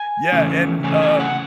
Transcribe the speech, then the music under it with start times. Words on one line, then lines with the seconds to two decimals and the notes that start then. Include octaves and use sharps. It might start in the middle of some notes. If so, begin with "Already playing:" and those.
yeah, and, um
Already playing: G#5
0.32 C#3 E3 A3 C#4
0.84 C#3 E3 A3 C#4 G#5
1.02 G#5
1.20 F#5